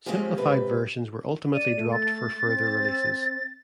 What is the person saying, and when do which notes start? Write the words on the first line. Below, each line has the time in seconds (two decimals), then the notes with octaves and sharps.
Simplified versions were ultimately dropped for further releases.
0.06 F3 G#3 C4 C#4 F4 G4
0.38 G#2 C3 G4 B4
1.54 D5 D#7
1.76 A3
1.92 A6
2.45 C4